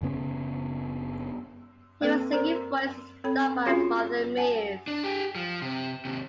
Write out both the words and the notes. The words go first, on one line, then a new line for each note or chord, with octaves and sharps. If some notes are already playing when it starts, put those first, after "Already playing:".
Hayworth's singing voice was dubbed by Martha Mears.
F#1 C#3 B3 C#4
A#3 C4 A4 B4
A#4 C5 D5 A#5
C4 A4 C#5 B5
C#4 F4 F#4 G#4 C#5 C6
F#5 G#5 A5
D4
G4 G#4
F3
C3
D#2 C3